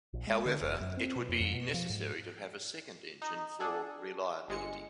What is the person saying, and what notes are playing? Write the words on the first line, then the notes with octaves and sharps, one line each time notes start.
However, it would be necessary to have a second engine for reliability.
A#1
G#3
D3
F1
F#2
C4
B2
F2
F2
B2
F3
G#2
D#4
D4 G#4 A4
G1 G#3 C#7